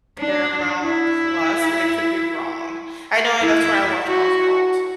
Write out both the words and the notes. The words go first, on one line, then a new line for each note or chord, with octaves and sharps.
Paramount Plus, but it could be wrong. I know that's where I watch Oswald.
D4
E4
E4
F#4